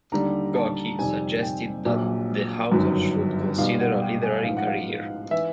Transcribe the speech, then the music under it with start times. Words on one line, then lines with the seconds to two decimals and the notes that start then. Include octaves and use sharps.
Gorky suggested that the author should consider a literary career.
0.12 D#2 D3 G3 A#5
0.56 A5
0.99 F2 C3 D#3 G3 G#5
1.42 G5
1.85 A#1 A#2 F#3
2.72 G1 F#2 D#3 F#3
3.58 B1 B2 G3 F5
3.80 F#5
4.02 G5
4.23 G#5
4.45 A1 G#2 F3 F5
4.57 F#5
4.68 F5
5.31 E3 E5